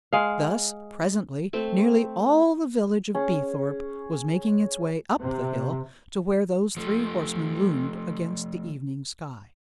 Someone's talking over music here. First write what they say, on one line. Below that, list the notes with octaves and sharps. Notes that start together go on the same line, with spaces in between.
Thus, presently, nearly all the village of Beethorpe was making its way up the hill to where those three horsemen loomed against the evening sky.
G#3 F5
A3 C4
C#4 G#4
C3
F3 A3